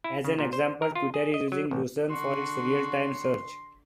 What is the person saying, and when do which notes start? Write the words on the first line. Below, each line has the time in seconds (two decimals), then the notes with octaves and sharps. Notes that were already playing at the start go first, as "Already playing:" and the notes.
As an example, Twitter is using Lucene for its real time search.
0.04 E4
0.25 C#3
0.39 A#2
0.53 C5
0.82 A#4
0.95 F4
1.14 G#4
1.34 D#5
1.52 F#3
1.71 A1
2.10 D3 F#4 C6